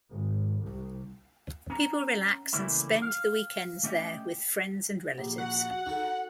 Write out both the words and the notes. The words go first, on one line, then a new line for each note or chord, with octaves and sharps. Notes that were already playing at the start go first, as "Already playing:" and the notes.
People relax and spend the weekends there with friends and relatives.
G#1
C2
C#4 A#5
C#3 E3 G3 A3 A#3 E4
F5
A3 C#4 G4 D#5 E5 G5
A#1 G4
F#4 F#5
D#4 F#4 A4